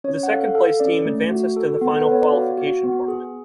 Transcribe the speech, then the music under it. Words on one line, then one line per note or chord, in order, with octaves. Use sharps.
The second place team advances to the Final Qualification Tournament.
C#4 C#5
F#5
A4 F5
A4 F5
C#4 D5
A3
F#4
A4
B3
A4
B4
B3 C#5
D5
F#4 F5
F#4
B3
G#4